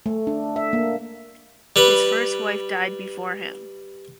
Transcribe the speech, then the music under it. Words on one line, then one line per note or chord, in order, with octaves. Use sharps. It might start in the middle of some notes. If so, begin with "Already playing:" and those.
His first wife died before him.
A3
D4
E5
A#3
G3 B4